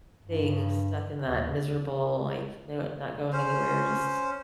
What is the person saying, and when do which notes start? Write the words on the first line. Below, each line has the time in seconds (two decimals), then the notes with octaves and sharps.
Being stuck in that miserable, like, no not going anywhere. Just
0.25 G2
1.23 D#2
3.33 C#4 C5